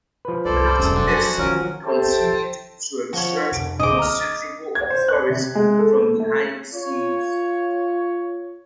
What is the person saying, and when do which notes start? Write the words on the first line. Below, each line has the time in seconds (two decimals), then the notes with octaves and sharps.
Even after this, he continued to exert considerable authority from behind the scenes.
0.25 F3 B4
0.45 C2 F#2 A4 C5 D5
0.79 E1 A1 F#2 C4 G#4 A5
0.95 D3 F3
1.08 F#4 G#5
1.38 D#3 F3 F#3 C#4 A#4
1.84 G4 A4 C5 E5 G5 A5
3.13 F3 F#4 C#5
3.51 F1 D7
3.80 D1 C4 G#4 D#5 D6
3.98 A#5 F6
4.75 G#6
4.90 C5
5.08 F#6
5.30 C3
5.55 G#3
5.79 A4
6.20 A3
6.74 F4 C#5